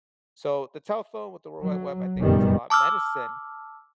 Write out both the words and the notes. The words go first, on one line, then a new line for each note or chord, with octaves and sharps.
So, the telephone with the World Wide Web, I think it's a lot medicine,
F#3
F1 A#1 F#2 D#3 G3 B3
A5 D6 E6 F6